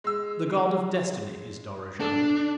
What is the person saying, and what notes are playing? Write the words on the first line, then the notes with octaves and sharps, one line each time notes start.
The god of Destiny is Dorozhand.
G#3 E6
D4 A4